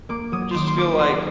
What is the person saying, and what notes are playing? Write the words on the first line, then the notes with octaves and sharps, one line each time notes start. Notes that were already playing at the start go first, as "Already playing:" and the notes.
I just feel like,
A#3 D6
F#3 D#6
D#3 C6 D6
C6
A#3 D6
F#3 C6